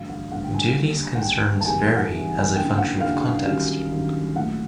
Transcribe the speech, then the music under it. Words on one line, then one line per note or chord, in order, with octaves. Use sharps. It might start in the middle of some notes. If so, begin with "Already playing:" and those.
Do these concerns vary as a function of context?
Already playing: A1 G2 D3 F#3 F5
F#5
A1 G2 D3 F#3 F#5
G5
G#5
D#2 D3 G3
F#5
D#2 D3 G3 G5
A5
G#1 G#2 E3 G3 G#5
F#5
G#1 G#2 E3 G3
F#1 F#2 D3 G5
F#5
F#1 F#2 D3 F5
F#2 D#3 G3
F#2 D#3 G3
A#1 A2 F#3 F#5